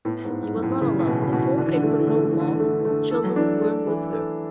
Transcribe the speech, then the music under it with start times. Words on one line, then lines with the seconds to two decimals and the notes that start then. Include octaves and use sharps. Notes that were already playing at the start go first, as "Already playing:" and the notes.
She was not alone: the four Kapernaumov children were with her.
0.05 A2 B3
0.24 G#2
0.30 B3
0.43 G#2
0.56 F#2
0.62 A2
0.81 C#3 E3
0.99 A2
1.07 B2 E3
1.22 C#3
1.32 B2 F#4
1.58 D3 D4
1.66 E3
1.74 D3
1.82 E3 A3
1.90 D3
1.99 E3
2.07 D3 A3
2.15 E3
2.23 D3
2.31 E3
2.34 D3 A3
2.48 E3
2.55 D3
2.60 E3 A3
2.72 D3
2.80 E3
2.85 D3 A3
3.11 E3 A4
3.24 F#3
3.36 E3 D4
3.62 A4
3.87 E3
4.13 A4